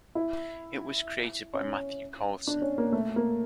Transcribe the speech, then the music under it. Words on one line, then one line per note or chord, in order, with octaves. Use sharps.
It was created by Matthew Carlson.
E4
C#4
D4
C#4
A#3
A3
A#3